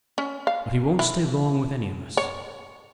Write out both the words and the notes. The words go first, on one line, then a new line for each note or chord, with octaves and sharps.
But he won't stay long with any of us.
C#4
F5
E4
C#5